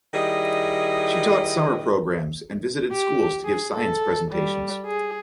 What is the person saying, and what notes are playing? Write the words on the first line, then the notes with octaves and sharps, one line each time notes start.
She taught summer programs and visited schools to give science presentations.
D#3 G3 E4 G#4 D#5
G4
G#4
A4
G3
G#4